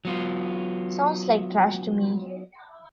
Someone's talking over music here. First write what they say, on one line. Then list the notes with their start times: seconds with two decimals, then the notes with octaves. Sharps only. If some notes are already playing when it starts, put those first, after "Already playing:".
Sounds like trash to me!
0.05 F#3 B3 F4